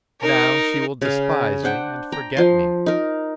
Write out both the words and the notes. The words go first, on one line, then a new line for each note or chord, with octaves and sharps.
Now she will despise me and forget me.
D#4 A#4
C#3 F5
D4 C5 F#5 G5
G5 A#5
F3 C6
D#4 A#4